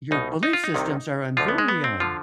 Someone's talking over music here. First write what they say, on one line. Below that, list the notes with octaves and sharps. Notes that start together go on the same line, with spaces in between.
your belief systems are on very, um
C2 B2 D#4
D#4
F4
D#4
C2 C3 D#3
D2 D3 F3 F4
B3
G#3
B3
C4
D3 F3 F4